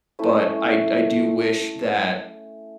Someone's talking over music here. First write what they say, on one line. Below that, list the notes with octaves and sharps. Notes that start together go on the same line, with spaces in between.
but I d I do wish that
A3 C#4 E4